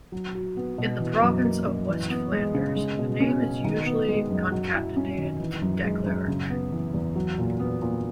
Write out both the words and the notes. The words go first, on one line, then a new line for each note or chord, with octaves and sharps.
In the province of West Flanders the name is usually concatenated to Declerck.
F#3
F#4
B3
B2
E3
F#2
A#3
F#2
E3
B3
G#3
C#3
G#3
B2
C#4
B2
D#3
B3
G#3
F#2
F#3
E4
C#4
D#3
E3
F#2
G#3
F#2
C#3
B3
E3
E2
F#3
A#2
B3
A#2